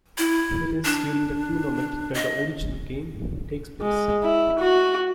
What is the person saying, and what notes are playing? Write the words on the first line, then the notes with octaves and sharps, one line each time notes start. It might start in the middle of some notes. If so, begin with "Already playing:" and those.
It is during the tournament that the original game takes place.
E4
D4
D#5
G#3
E4
F#4